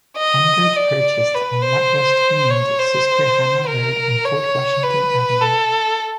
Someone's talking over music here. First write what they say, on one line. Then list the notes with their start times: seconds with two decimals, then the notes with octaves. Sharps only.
Engard purchased on what was to be named Susquehanna Road and Fort Washington Avenue.
0.18 D#5
0.76 D5
1.34 B4
1.63 C5
2.50 C#5
2.79 C5
3.66 A#4
4.25 C#5
4.83 B4
5.41 A4